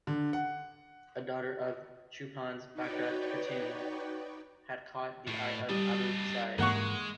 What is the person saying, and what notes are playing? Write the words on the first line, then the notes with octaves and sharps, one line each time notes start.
A daughter of Chupan's, Baghdad Katun, had caught the eye of Abu Sa'id.
D3
F#5
D#4 F#4 B4 C#5 D5 G5
A2
G3 D4 D#5
G#2 E3 G#3 A#3 F#5 C#6